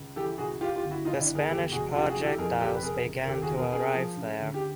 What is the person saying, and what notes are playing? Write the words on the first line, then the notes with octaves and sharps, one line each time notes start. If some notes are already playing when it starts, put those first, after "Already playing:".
The Spanish projectiles began to arrive there.
Already playing: C#2
E3 G4 A4
C#2 F#4 G#4
F#2 F4 G4
F4 G4
G1
E4 F#4
D#3 D#4 F4
D4 E4
G1
G#4 A#4
E2 G4 A4
F1 F#4 G#4
C#3 F4 G4
F#4 G#4
E3
G4 A4
A4
F2 G#4 A#4
F#1 G4 A4
B4
C3 G#4 A#4
F#1
A#4
D#2 G4 A4
F#4 G#4
E1
G#4 A#4
C#3 G#4 A#4
F3
C#3
D2
G4